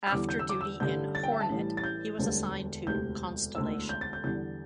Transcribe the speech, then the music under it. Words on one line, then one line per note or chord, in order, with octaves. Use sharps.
After duty in "Hornet", he was assigned to "Constellation".
E6
E2 D3 G3 D6
G6
E6
D6
E6
A1 G2 D3 G3 G6
A6
G5
E5
A5
A1 A2 E3 G3
A6
G6
E1 D2 D3 G3
E1 D2 C3 G6
E1 D2 D3 E6
G6
A6
G6
E2 D3 G3 G6